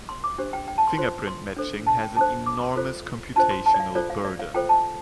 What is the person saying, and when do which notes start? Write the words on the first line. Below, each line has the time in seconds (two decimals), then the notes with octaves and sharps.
Fingerprint matching has an enormous computational burden.
0.09 C6
0.24 D6
0.38 D4 G4 C5
0.53 G5
0.68 G5
0.78 A5
0.87 C6
0.98 F4 C5 C6
1.28 C6
1.57 D4 A4 C5
1.87 A5
2.01 G5
2.16 D4 A4 C5 A5
2.46 D6
2.62 C6
2.76 F4 A4 C5
3.36 D4 F4 C5 A5
3.51 C6
3.66 A5
3.74 D5
3.80 F5
3.95 F4 A4 C5 D5
4.10 F5
4.24 D5
4.40 F5
4.54 F4 A4 C5 G5
4.69 A5